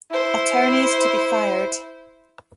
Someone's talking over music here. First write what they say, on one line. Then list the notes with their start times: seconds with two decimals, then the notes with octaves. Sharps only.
Attorneys to be fired.
0.11 E4 C5